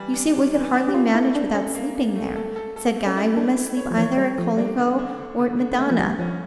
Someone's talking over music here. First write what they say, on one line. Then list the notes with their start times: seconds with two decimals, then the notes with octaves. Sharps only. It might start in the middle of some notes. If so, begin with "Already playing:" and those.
'You see we could hardly manage without sleeping there,' said Guy: 'we must sleep either at Colico, or at Madonna.
Already playing: E3 G3
0.14 D4
0.34 D4
0.54 E3
0.74 D4
0.88 G4
0.94 A#3 F4
1.14 E4 A4
1.35 A#3 D4
1.55 C#4 A4
1.75 A#3
1.95 A#3
2.16 A3
2.36 A4
2.56 A4
2.76 A4
2.96 A3
3.06 C#4
3.16 E4
3.37 A3 D4
3.57 E4
3.77 C#5
3.91 F3
3.98 E3 C#5
4.17 G3 C#5
4.38 F3 A3
4.57 G3 D4
4.78 D3
4.99 D4
5.18 D3
5.39 D3
5.59 D3
5.72 A#3
5.79 D3 A3
5.90 F3
5.99 D3 G3
6.19 F3 C#4